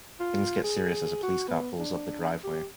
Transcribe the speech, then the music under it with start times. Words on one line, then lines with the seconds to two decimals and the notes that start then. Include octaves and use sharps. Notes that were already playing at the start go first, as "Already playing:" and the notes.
Things get serious as a police car pulls up the driveway.
0.20 F4
0.64 G#4
1.23 F#4
1.48 B3
1.79 D4
2.43 G4